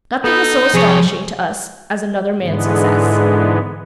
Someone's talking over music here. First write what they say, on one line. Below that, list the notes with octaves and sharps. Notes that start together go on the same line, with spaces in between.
Nothing is so astonishing to us as another man's success.
B3 D#4 A4
F2 C3 G#4 C#5
G#2 D3 E3 G#3 B3